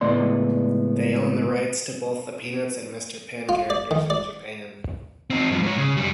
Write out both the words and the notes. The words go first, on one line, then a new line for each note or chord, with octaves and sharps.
They own the rights to both the Peanuts and Mr. Men characters in Japan.
C#2 A2 B3 D5 C6
F4
D5
D#3
D5
C4 D#4
G2 F3
G#2 C#5
C#3
F#2 G3